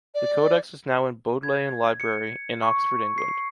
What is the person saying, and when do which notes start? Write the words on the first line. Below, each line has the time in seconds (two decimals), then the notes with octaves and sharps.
The codex is now in Bodleian Library, in Oxford, England.
0.14 D5
1.43 G#6
2.00 C#7
2.63 C#6
3.18 C7